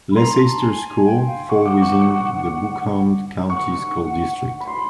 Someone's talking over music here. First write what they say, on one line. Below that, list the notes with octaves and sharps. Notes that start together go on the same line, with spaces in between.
Leicester's schools fall within the Buncombe County School District.
B5
A#5 C6
A5
G#5
G#5
G5
F5
F#5 C#6
D6
C#6
D6
F#5 C#6
B5
C6